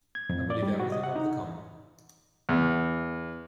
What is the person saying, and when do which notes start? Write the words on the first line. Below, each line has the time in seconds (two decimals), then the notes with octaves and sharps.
I believe everything out of the common.
0.15 G#6
0.29 F2
0.50 D5
0.63 G3
0.80 F#4
0.92 D#5
1.04 F#5
1.16 D#4
2.49 E2